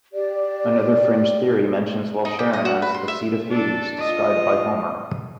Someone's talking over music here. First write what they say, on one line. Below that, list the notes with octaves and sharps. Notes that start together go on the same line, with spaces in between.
Another fringe theory mentions Walcheren as the seat of Hades, described by Homer.
G4 D5
D#4
G4
D#5
F#4
B4
C6
E5
D4 A4
F4 D#5